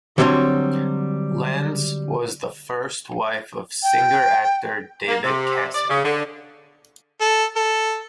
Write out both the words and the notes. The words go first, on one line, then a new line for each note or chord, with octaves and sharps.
Lenz was the first wife of singer-actor David Cassidy.
D3 F#3 G3 C4 C#5
G5
A#3
C3
D5
C#3
D3
A4
A4